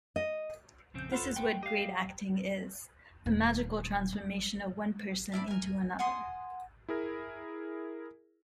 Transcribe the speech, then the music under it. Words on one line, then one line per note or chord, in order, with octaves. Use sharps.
This is what great acting is, a magical transformation of one person into another.
D#5
A#1 F2 C#3 C4 G6
F4 A4 F#5 B5 C6
A3 G5
G4 D#5 F5
D#1
G3
D4 E4 D5 B5
A#4 G#5
F#5 G#5 C6 D#6
E4 G#4 A#4